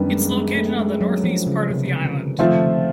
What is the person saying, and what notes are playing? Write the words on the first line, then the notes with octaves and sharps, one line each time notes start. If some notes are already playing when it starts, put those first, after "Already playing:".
It is located on the northeast part of the island.
Already playing: F#2 D#3 G3 B3 D4
G#3
G#3
A3
G#3
F#3
F3
C#3
C3
C#3
D3
D#3 F3 A3 C4 F4
D3